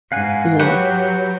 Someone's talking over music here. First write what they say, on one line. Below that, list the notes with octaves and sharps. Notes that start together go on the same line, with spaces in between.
You know?
G#2 F5 F#5 G#5
F#3 G4 B4 F#5 C#6